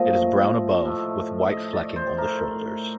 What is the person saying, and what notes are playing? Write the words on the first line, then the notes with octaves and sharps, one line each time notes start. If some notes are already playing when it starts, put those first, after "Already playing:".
It is brown above, with white flecking on the shoulders.
Already playing: A#2 F3 A3 D#5
A2 A3
D#5
D5
C5
A2 A3 A#4